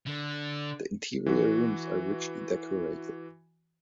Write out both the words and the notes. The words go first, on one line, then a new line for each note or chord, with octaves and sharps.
The interior rooms are richly decorated.
D3
E3 F#4